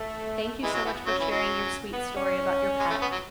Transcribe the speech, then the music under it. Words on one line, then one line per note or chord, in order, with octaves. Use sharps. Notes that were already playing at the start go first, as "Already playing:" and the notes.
Thank you so much for sharing your sweet story about your pet.
Already playing: A3
E3 G#3
F#3
E3 B3
F#3 C#4
E3
F#3
B3
C#4
G#3
A3
B3
F#3